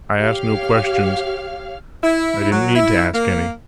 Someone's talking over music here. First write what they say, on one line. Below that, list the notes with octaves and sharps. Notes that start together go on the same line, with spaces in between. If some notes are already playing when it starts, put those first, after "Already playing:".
I asked no questions; I didn't need to ask any.
G4 C#5 F5 F6
E4
F#3
E4
A#3